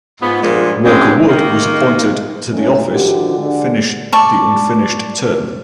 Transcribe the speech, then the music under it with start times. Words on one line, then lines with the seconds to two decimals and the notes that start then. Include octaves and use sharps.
Walker Wood was appointed to the office finish the unfinished term.
0.21 G#2 B3 F4
0.42 G2 A#2 F3 G#3
0.84 D3 E3 F3 G#3 C4 C#4
1.28 D#3 A#3 D#4
2.52 A2 D3 D#3 A3 C#4
2.90 D3 D#3 F3 F#4 G4
3.38 D3 G#3
4.12 D5 A5 C#6